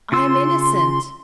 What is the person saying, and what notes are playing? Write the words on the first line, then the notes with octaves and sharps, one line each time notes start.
"I am innocent."
C#3 F4 C6 E6